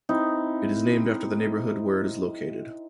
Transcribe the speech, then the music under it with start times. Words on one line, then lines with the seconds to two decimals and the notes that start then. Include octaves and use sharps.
It is named after the neighborhood where it is located.
0.09 C4 D#4 E4